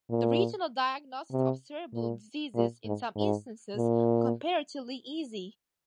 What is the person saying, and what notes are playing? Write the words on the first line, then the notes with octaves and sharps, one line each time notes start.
The regional diagnosis of cerebral disease is, in some instances, comparatively easy.
A#2
C3
A#2
A#2
G#2
G#2
A#2